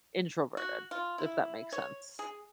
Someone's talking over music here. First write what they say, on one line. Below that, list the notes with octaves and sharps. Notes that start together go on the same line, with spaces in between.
introverted, if that makes sense.
F#4
F4
E4
C#5
G#4